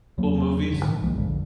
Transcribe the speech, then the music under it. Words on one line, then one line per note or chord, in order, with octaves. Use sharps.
Cool movies?
E2 F#3 A#3
G2 D3 D#3
A2 D#3 E3
B1 F3 G#3 A#3
A#1 E2 G2 D3